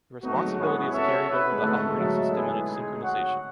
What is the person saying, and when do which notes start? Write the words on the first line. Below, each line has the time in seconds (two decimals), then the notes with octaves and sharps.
The responsibility is carried over the operating system and its synchronization.
0.23 A3 B3 D#4 F#4
0.34 F#3
0.46 G#3
0.57 B3 E4 G#4 C#5 F#5
0.93 C#4 F#4 A4 C#5 E5
1.27 B3 E4 B4
1.52 G#3
1.62 A3 B3 D#4 F#4 A4 E5
1.78 A3
1.88 G#3
1.98 F#3 D#4 A4 E5
2.32 G#3 B3 E4 G#4 B4
2.68 G#3 D#4 G#4
3.02 F#4 C#5 F#5